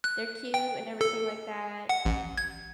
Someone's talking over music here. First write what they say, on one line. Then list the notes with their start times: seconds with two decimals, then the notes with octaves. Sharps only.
They're cute and everything like that.
0.04 F#6
0.54 G5
1.01 A4
1.89 F#5
2.05 A1
2.37 G#6